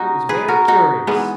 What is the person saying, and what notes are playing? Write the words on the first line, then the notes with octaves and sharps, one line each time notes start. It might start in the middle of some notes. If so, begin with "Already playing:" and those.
It was very curious.
Already playing: A#2 C#4 D#4 F#4
G#4 B4
F#4 A#4
D#4 F#4
G#2 E3 G#3 B3